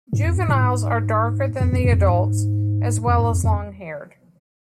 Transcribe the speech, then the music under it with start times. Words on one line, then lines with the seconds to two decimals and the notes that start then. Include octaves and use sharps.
Juveniles are darker than the adults as well as long-haired.
0.13 G#2
0.24 F2
0.37 G#2
0.49 A2
0.61 G#2
1.60 F2
1.73 F2
1.84 F2
1.93 E2
1.97 F2
2.09 G#2
3.07 F2
3.19 G#2
3.32 F2
3.44 F2